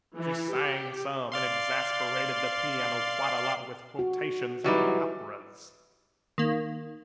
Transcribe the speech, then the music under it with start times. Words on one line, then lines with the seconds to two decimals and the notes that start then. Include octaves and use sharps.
She sang some, and exasperated the piano quite a lot with quotations from the operas.
0.17 E3
0.55 G4
1.32 D5 F5 C6
3.99 F#4
4.64 E3 F#3 G3 D#4
6.38 D#3 A#3